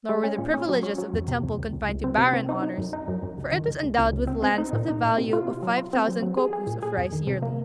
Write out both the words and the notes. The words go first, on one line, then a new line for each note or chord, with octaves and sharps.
Nor were the privileges of the temple confined to barren honours, for it was endowed with lands of the value of five thousand kokus of rice yearly.
G#3
C#4
A#2
C#4
F#3
C#4
F#3
F2
C3
F2
C#2
C#2
C#2
C4
C3
C4
D#4
D#4
F#2
D#4
F#2
F#2
C#2
D#3
C#2
C#2
C#2
C#2
C4
C4
D#4
A#2
D#4
A#2
C3
F4
C3
F#3
F4
C4
F#3
F#3
G#4
G#4
A#2
G#4
F2
D#3
C3
A#3